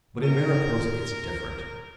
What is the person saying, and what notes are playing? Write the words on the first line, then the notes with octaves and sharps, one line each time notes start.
But in Mariposa it's different.
C3 F#3 A#4